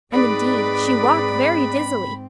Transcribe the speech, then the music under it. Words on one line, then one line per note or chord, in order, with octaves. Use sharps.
And indeed, she walked very dizzily.
G#2 C4 D#4 G#4 B4 D5 B5